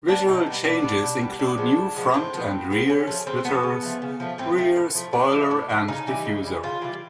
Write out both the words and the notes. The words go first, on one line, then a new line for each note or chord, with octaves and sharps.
Visual changes include new front and rear splitters, rear spoiler and diffuser.
G3 B3 D4
B2 D#4
G3 B3
B2 D4
G3 B3
B2
G3 B3
A2 D4
F3 G#3 B3
A2
F3 G#3 B3
A2 C4
F3 G#3 B3
A2
F3 G#3 B3
C#3 C#4
F3 A3
C#3 C4
F3 A3 B3
C#3
F3 A3
C#3
F3 A3
A2 C4
F3 A3
A2
F3 A3
A2 D4
F3 A3
A2
F3 A3
C#3 D#4
E3 G3
C#3
E3 G3
C#3 F4
E3 G3